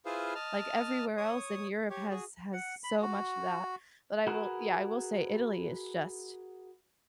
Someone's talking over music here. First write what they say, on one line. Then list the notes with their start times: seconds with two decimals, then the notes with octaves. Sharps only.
like, everywhere else, and Europe has has so much of that. But I will yeah, I will say Italy is just
0.06 E4 F4 G#4 B4 C5 F5
0.35 D#5 A5 F6
1.18 C#5 D#6
1.90 G4 C#5
2.11 F#4 G#4
2.53 F#5
2.84 B5
3.02 F#4
4.27 F#4 G#4 A#4 B4